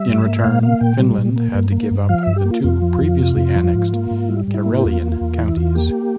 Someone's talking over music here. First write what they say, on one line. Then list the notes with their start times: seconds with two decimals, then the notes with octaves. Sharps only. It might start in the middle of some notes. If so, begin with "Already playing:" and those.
In return, Finland had to give up the two previously annexed Karelian counties.
Already playing: G3 E5
0.08 G#2
0.26 A#3
0.44 A#2 F5
0.63 A#3 F5
0.80 A#2 G5
0.99 G3
1.18 A#2
1.36 A#3
1.55 G2
1.72 A#3
1.91 G2
2.09 F3 F5
2.23 G2 E5
2.36 G4
2.45 A#3
2.51 F4
2.64 F2 F4
2.82 F3
3.01 F2
3.20 C3
3.37 F2
3.56 F3
3.73 G#2
3.93 A#3
4.11 G#2
4.29 G3 E4
4.47 G#2
4.54 E4
4.66 A#3
4.79 G4
4.84 E2 F4
5.02 A#3
5.12 F4
5.21 E2
5.38 E3 E4
5.56 E2 F4
5.75 A#3 G4